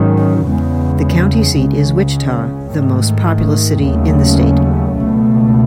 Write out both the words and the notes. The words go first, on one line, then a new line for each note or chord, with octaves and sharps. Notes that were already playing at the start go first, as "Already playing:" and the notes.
The county seat is Wichita, the most populous city in the state.
Already playing: G#2 D#3 F#3 C#4
E2 C#3 G#3 B3
C#2 C#3 G#3 C#4
G#2 D#3 A3
D#2 C#3 F#3 A3 C#4
C#2 B2 A3